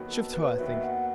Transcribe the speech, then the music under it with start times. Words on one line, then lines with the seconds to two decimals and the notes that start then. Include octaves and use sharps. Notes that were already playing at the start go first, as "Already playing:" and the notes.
'Shift ho, I think.
Already playing: D#2 D#3 F#3 B3 F#4
0.08 A4
0.33 B4
0.58 D#2 D#3 F#3 B3 F#4 E5
0.83 F#5